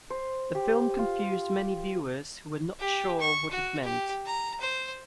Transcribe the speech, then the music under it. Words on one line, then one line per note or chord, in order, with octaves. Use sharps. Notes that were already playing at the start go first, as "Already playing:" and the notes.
The film confused many viewers who were not sure what it meant.
C5
G4
F4
G4
C#6
F#4
G4
A#5
C5